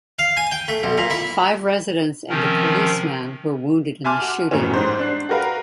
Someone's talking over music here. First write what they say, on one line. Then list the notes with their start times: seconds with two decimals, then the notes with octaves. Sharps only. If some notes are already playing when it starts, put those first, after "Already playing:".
Five residents and a policeman were wounded in the shooting.
0.19 F5
0.37 G#5
0.51 G5
0.68 A3
0.83 B1
0.98 A#2
1.10 E4
2.29 C3 D#3 F3 C4 C#4 A#4
4.04 E5 G#5 A5 C6 D6 F6
4.21 F#4
4.51 F#2 A2 E3 C#4
4.74 G#2 G3 G4 C5
4.99 D4 F#6 C7
5.29 F#4 G4 A#4 B4 F5